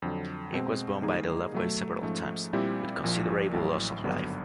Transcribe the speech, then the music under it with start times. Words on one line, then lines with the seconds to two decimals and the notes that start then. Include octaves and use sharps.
It was bombed by the Luftwaffe several times, with considerable loss of life.
0.02 F2 D3 F#3
0.53 B2 G#3 C4
1.02 D#3 G3 A#3 D#4 G#4
1.52 B2 F#3 A3
2.02 G#2 F3 A3 C#4
2.53 A#2 G3 C4 E4 G4
3.04 A#1 A#2 F3
3.53 A1 A2 F#3
4.04 G#1 G2 D3 F#3 B3